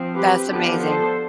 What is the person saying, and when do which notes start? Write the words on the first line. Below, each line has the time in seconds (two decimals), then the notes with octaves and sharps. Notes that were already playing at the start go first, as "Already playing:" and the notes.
That's amazing.
Already playing: F3 C4
0.15 G4 B4
0.48 D3 F3 B3 D4 G4 B4
0.82 A4 C5